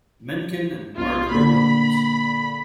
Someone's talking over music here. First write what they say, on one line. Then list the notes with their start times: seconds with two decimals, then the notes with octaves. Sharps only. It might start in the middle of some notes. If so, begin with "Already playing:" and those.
Mencken and Margery Williams.
0.97 B1 F4
1.31 A#2 D3 B5